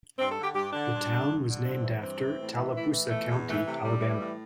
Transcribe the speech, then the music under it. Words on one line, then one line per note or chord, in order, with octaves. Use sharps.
The town was named after Tallapoosa County, Alabama.
G2 C4
A4
D3
G4
G2 G4
D3 D4
G2
D3
G2
D3
G2 C4
E3
G2 C4
E3
A2
E3
A2 E4
E3
E2 A3
E2
E3 A3
C3 A3
A2 G3
E3
A2